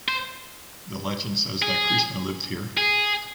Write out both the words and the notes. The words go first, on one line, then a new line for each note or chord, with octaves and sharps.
The legend says that Krishna lived here.
C5
G#4
G#4